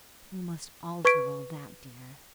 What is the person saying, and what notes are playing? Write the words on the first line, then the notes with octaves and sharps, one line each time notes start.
We must alter all that, dear.
B4 C#6 G#6 B6 D7